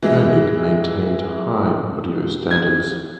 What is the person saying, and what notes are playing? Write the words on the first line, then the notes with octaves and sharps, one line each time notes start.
Koenig maintained high audio standards.
E3 G#3 E4
G#6